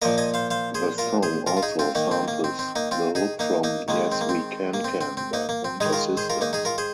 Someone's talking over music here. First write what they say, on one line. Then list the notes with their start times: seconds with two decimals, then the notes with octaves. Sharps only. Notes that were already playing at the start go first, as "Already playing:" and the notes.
The song also samples the hook from "Yes We Can Can" by Pointer Sisters.
0.02 A#2 F3 A#3 A#4 D#5
0.18 D#5 G#5
0.34 C5 F5
0.51 C5 F5
0.75 G#4 C5
0.98 F4 A#4
1.23 G#4 C5
1.47 F4 A#4
1.57 F4
1.62 D#4 G#4
1.79 C4 F4
1.95 D#3 A#3 D#4
2.11 C4
2.28 A#3
2.44 C4
2.59 C4
2.76 A#3 D#4
2.91 C4 F4
3.15 D#4 G#4
3.39 A#3 D#4
3.63 A#3 D#4
3.88 D#3 G#3 A#3
4.12 C4
4.21 A#3
4.29 C4
4.74 A#3
4.84 C4
5.01 C4
5.17 C4
5.33 A#3 D#4
5.49 A#3
5.64 C4
5.81 G#3 D#4 G#4
5.85 D#3
5.93 F4 A#4
6.17 G#4 C5
6.30 F4 A#4
6.41 A#3 D#4
6.53 D#4 G#4
6.65 F4 A#4
6.78 G#4 C5